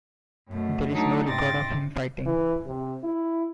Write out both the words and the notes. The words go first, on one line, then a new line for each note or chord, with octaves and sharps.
There is no record of him fighting.
F#2 B2 A3
F#3 A3 D4 D#4 A4
G#2 C3 D5 C6 A6 A#6
E3
C3
E4